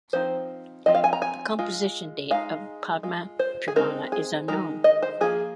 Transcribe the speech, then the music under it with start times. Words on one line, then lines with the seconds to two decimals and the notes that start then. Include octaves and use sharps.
The composition date of Padma Purana is unknown.
0.13 F3 C4 D#4 C5
0.86 F3 C4 F4 D#5
0.95 F5
1.04 G#5
1.13 A#5
1.22 G#5
1.59 G#3 F4
2.31 G#3 D#4 F5
3.03 G#3 F4
3.39 C5
3.68 G#4
3.76 G#3 C4 D#4 A#4
4.12 G#4
4.48 D#3 G#3 D#4 A#4
4.84 D#5
5.03 C5
5.21 F3 A#3 F4 G#4